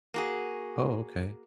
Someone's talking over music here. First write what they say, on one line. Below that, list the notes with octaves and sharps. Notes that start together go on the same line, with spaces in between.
Oh, okay.
A#3 F#4 G#4